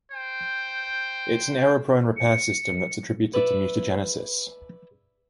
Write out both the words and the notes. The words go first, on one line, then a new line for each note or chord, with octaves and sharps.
It is an error-prone repair system that is attributed to mutagenesis.
C5 G5
C#7
B4 D5 E5